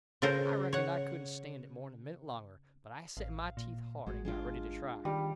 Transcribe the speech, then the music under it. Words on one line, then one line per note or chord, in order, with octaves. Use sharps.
I reckoned I couldn't stand it more'n a minute longer, but I set my teeth hard and got ready to try.
C#3 F4 A4 A#4 C5
C#5 F#5
A1 F5
A#2
G#1 G#3 F#4
G#3 D4 F4
D#3 G3